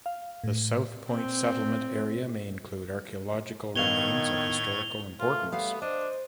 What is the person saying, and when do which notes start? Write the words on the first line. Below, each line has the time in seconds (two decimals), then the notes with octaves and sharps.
The South Point Settlement area may include archaeological remains of historical importance.
0.06 F5
0.44 A2
1.10 C4
3.76 A2 D#3 B3 F5 C#6 G#6 F7 G7
5.20 A3 F4
5.52 G3 B3 F5
5.82 D4 C5 D#5